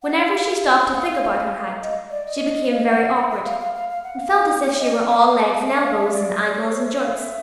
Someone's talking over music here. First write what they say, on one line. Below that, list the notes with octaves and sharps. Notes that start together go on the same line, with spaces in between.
Whenever she stopped to think about her height she became very awkward, and felt as if she were all legs and elbows, and angles and joints.
F#5
F5
F5
F#5
F5
D#5
D5
D#5
F5
F#5
E5
F5
F5
F5
F5
F#5
F5
D#5
D5
E5
F5
D#5
E5
E5
F5
E5
D5
C#5
C5
E5
F5
E5